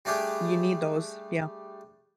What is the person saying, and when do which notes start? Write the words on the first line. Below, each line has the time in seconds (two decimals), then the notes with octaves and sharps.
You need those. Yeah.
0.05 G3 A3 D4 G4 G#4